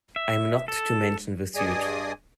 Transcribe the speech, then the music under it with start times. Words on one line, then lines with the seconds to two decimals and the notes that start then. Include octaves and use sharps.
I am not to mention the suit.
0.16 E5
0.68 A4
1.55 G2 G#4 D5 D#5 G#5 D#6